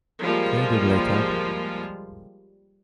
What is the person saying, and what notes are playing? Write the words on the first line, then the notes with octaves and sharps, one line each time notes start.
Can we do it later?
F3 G3 G#3 A#3 F4